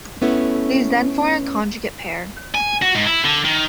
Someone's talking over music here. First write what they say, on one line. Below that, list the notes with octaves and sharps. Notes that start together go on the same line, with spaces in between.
These then form a conjugate pair.
A3 B3 C#4 E4 A4
G#5
F#4
G#2
E4
D3
D#3